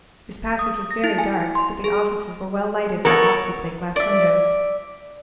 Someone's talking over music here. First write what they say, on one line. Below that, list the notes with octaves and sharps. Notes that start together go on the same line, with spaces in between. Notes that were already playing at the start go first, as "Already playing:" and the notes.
This passage was very dark; but the offices were well lighted by lofty plate-glass windows.
D#6
A#6
E4
G#5
C6
G#4
B3 A4 A#4 C#5
D5 E5